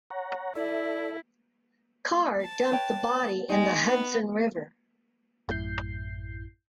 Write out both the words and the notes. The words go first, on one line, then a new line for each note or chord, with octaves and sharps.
Carr dumped the body in the Hudson River.
C#5 F#5 A#5
E4 A4 D5 E5
A5
B4 C#5 G5
G#3 D#4 G5
B3
A1 F#2 A2 E4 G6 C7